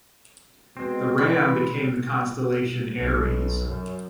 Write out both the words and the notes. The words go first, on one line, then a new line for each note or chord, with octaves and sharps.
The ram became the constellation Aries.
B2 G#3 C4
E3 B4
B1
F#2